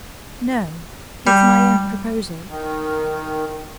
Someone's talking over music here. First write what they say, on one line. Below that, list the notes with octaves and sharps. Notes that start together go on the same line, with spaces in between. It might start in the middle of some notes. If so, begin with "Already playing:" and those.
"No; it's my own proposal."
G3
D#3